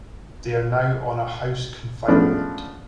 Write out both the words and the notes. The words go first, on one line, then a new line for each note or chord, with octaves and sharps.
They are now on a house confinement.
F3 G#3 A3 B3 C#4 D4